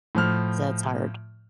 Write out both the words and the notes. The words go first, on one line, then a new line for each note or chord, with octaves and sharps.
‘cause that's hard.
A2 F3 F6